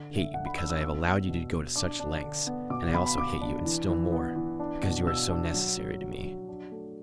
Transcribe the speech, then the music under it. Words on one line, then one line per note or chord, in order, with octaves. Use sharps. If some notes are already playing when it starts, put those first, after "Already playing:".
I hate you because I have allowed you to go to such lengths, and I also hate you and still more--because you are so necessary to me.
Already playing: D3
D3
E5
D4 F#5
B5
D4 E6
E6
B3 E6
B3
B2
B2
D4 D6
D4
D3
B3
B2 D6
B2 B5
B5
B2 D6
D4
E3
E3
B3
E3
D4
B2
B2 E6
D4
F#3
F#3
F#3
F#3
D4
A3